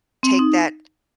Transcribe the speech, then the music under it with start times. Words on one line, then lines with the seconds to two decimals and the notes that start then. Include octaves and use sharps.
take that
0.23 C4
0.39 D#4